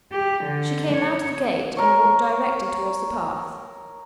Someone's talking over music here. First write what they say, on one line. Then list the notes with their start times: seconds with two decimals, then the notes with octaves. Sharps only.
She came out of the gate and walked directly towards the path.
0.12 G4
0.44 D3
0.93 C#5
1.77 A#4 C#5